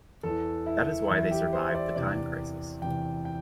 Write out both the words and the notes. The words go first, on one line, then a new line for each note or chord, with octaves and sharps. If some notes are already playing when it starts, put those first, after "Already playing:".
That is why they survived the time crisis.
E2 E3 A4
E4
E2 E3 E4
G4
C5
D5
E2 C3 E3 D5
E2 C3 E3 G5
G5